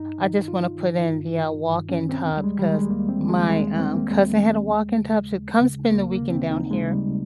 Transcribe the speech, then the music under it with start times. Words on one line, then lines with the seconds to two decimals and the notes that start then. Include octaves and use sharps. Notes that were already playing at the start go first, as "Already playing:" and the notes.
I just wanna put in the, uh, walk-in tub 'cause my, um, cousin had a walk-in tub, she would come spend the weekend down here,
Already playing: G2 D#4
0.18 D#3
0.48 G2 F4
0.78 D#3
1.08 G2
1.38 D#3
1.68 G2
1.89 C#4
1.99 D#3
2.09 C4
2.29 D#2
2.37 G3
2.44 G#3
2.58 D#3 G3
2.74 G#3
2.90 D#2 A#3
3.09 C4
3.20 D#3
3.29 G#3
3.49 D#2 G#3
3.79 D#3 C4
3.95 A#3
4.10 D#2 G#3
4.40 D#3
4.69 D#2
5.00 C#3
5.31 D#2
5.61 C#3
5.90 D#2 A#3
6.11 A#3
6.21 C#3
6.30 C4
6.50 D#2 D#4
6.71 G#3
6.81 C#3
6.91 G3